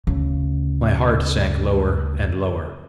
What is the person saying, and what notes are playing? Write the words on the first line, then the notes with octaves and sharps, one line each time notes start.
My heart sank lower and lower.
D2 C#3